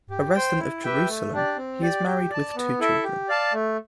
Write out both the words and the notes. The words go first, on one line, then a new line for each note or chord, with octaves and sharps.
A resident of Jerusalem, he is married with two children.
G4
C5 G5
E4
G4 B4 E5 G5
A3
D4 G4 D5
C4
G4 D5
G4
D5 A5
B3
E4 A4 E5
G4
D5 F5 A5
A3